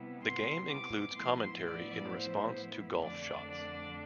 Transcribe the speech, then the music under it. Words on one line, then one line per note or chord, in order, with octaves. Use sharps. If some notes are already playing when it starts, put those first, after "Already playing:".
The game includes commentary in response to golf shots.
Already playing: C3 G3 B3 E4
C6
D6
A2 F3 B3 E4 C6
D5
C5
F2 D3 A3 D4 D5
D5